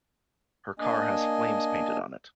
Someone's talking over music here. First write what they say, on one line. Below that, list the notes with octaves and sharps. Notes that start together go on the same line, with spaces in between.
Her car has flames painted on it.
A#3 D4 D#5 G#5